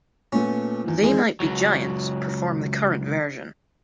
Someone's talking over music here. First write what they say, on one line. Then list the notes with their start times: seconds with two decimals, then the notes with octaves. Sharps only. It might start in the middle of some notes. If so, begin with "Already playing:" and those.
They Might Be Giants perform the current version.
0.32 A#2 A3 B3 C#4
0.84 E2 D#3 F3
1.04 G#3
1.40 C#2 F#3